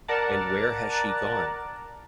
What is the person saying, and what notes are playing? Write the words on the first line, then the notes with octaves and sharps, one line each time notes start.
And where has she gone?
A#4 D5 F#5 A5